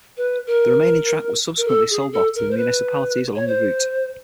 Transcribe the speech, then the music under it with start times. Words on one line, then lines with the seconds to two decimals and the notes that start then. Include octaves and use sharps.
The remaining track was subsequently sold off to the municipalities along the route.
0.17 B4
0.47 A#4
1.58 A#4
1.68 A4
1.90 G#4
2.13 A4
2.35 A#4
2.51 C5
2.57 B4
3.35 C#5
3.47 C5